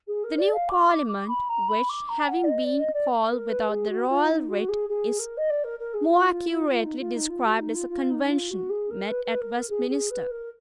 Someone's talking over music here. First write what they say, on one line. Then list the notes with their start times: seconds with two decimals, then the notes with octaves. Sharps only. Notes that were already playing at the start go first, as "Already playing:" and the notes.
The new Parliament, which, having been called without the royal writ, is more accurately described as a Convention, met at Westminster.
0.07 G#4
0.24 A#4
0.38 D5
0.52 F5
0.69 D6
0.87 D6
1.08 D6
1.28 B5
1.49 A#5
1.68 B5
1.89 D6
2.08 A#5
2.28 F#5
2.43 D5
2.49 D#5
2.63 D5
2.79 D#5
2.93 D5
3.29 A#4
3.48 B4
3.69 G#4
3.89 F#4
4.09 F4
4.28 D#4
4.48 F#4
4.68 G#4
4.89 G#4
5.19 A#4
5.37 D#5
5.50 D5
5.64 A#4
5.79 A#4
5.93 G#4
6.09 F4
6.29 F4
6.49 F4
6.69 F4
6.84 D#4
6.99 F4
7.15 D#4
7.29 F4
7.45 F#4
7.60 D#4
7.74 F4
7.89 F4
8.10 D#4
8.24 D#4
8.29 F4
8.50 F#4
8.69 G#4
8.90 A#4
9.09 B4
9.24 B4
9.40 A#4
9.54 A#4
9.69 G#4
9.89 G#4
10.10 B4
10.30 A#4